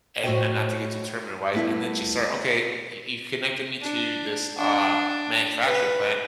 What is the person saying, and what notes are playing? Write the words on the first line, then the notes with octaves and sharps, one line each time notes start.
and not not to get too Terminator wise, and then just start, "Okay, y y you connected me to this, uh, manufacturing plant,
A2 A3 F#4 C5 D#5 G5
G3 A3 B3 E4
D4
D4
B4